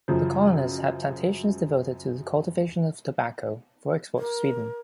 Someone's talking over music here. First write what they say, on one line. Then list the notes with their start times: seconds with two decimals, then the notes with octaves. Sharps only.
The colonists had plantations devoted to the cultivation of tobacco for export to Sweden.
0.08 F#2 C#3 F3
4.19 A#4